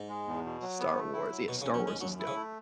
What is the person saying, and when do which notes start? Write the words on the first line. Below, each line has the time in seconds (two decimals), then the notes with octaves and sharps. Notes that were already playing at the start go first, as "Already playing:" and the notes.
Star Wars, yeah Star Wars is dope.
Already playing: G#2
0.09 G#3
0.26 E2
0.45 B2
0.62 F#3
0.79 B3
0.97 A3
1.13 E4
1.31 F#3
1.48 D#2 B2
1.62 C#3
1.65 C#4
1.74 F#3
1.83 D#2 G#3
2.01 F#2 F#3
2.19 E4
2.27 C#3
2.35 A3